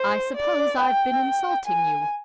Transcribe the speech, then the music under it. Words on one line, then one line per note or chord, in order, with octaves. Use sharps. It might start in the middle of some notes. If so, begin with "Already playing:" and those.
I suppose I've been insulting you.
Already playing: C5
D5
G5
G#5